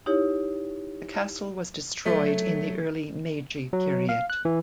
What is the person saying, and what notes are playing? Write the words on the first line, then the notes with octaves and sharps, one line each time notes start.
The castle was destroyed in the early Meiji period.
D#4 E4 G4 C#5
F#3 A3
F#3
F5
F#6
E3